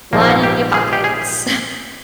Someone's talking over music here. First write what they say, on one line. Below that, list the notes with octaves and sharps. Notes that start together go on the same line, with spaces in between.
lining your pockets.
A#1 G#2 F3 A#3
C4
A#3
G4
G#4
G4
G#4